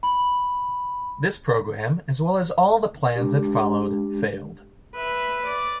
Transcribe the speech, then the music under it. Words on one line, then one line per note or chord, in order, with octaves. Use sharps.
This programme, as well as all the plans that followed, failed.
B5
G#3 D4 G4
B4 E5
D5